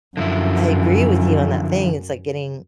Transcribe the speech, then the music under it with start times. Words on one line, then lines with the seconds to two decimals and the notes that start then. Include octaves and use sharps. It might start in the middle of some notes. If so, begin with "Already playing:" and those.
I agree with you on that thing, it's like getting,
0.17 F#2 D3 F3 E4